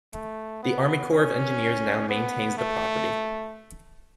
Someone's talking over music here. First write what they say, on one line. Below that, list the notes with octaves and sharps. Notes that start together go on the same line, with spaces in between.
The Army Corps of Engineers now maintains the property.
A3
B3
C#4
B3
A3